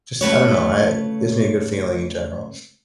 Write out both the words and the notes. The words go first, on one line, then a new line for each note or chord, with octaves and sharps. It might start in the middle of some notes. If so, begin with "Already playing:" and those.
just, I don't know I gives me a good feeling in general,
C#3 A3 B4 C#5